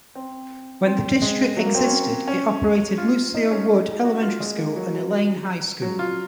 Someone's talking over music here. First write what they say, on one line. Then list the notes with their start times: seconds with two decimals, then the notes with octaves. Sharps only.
When the district existed, it operated Lucilia Wood Elementary School and Elaine High School.
0.15 C4
0.86 C4
1.22 G#3
1.57 F#3
1.66 A#3
1.75 C4
1.83 C#4
2.28 C#4
2.98 F4
3.34 D#4
3.51 C#4
3.69 D#4
4.05 F#4
4.23 F4
4.40 G#3
4.58 A#3
4.76 F#3
4.94 F#3
5.82 F#3
5.99 F4